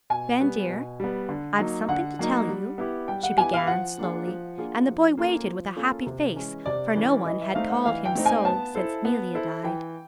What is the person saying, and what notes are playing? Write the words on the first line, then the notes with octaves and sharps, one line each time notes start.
"Ben, dear, I've something to tell you," she began, slowly; and the boy waited with a happy face, for no one had called him so since 'Melia died.
B2 G#5
G3 B3
B2
G3 B3
D3
F#3 A#3 D#4
D3 F#5
F#3 A#3 D#4
G3
B3 E4 G4
G3 G5
F#5
B3 E4 G4 G#5
F5
F3 F#5
A#3 D4 F4 G#4
F3
A#3 D4 F4 G#4
F3
A#3 C#4 F4 A4
F3
A#3 C#4 F4 A4
C3
E3 G#3 C#4
C3 D5
E3 G#3 C#4
E3 D#5
E5
A3 C4 D#4 F5
F#5
E3 F5
G5
A3 C4 D#4
G#5
B3 A5
E4 A4 C5
B3
E4 A4 C5
E3 G5